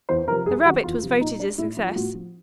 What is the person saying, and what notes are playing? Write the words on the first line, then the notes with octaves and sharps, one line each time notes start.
The rarebit was voted a success.
E2 C5
C3 F3 A#4
G2 G#4
D#3 F#3 F#4
E2 F4
C3 F3 F4
A#2 D#4
G3 D4
A2 E4
F3 F4
F4
A2 F#4
F3